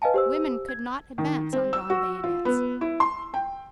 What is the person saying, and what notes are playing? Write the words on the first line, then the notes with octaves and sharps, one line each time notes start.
Women could not advance on drawn bayonets.
B4 D#5 F5 G#5 A5
G4 C5 E6
G#6
D#3
C4
E6
F#4
F4
B3
E4
C6
G5